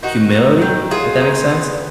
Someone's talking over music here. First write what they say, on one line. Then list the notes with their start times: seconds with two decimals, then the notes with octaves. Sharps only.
humility, if that makes sense?
0.02 D#3 D#4 F#4
0.32 B3
0.62 D#3
0.91 F#3 F4 G#4
1.21 D#3
1.50 B3